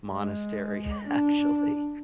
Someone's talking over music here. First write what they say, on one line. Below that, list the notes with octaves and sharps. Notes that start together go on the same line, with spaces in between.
monastery, actually.
G#3
D4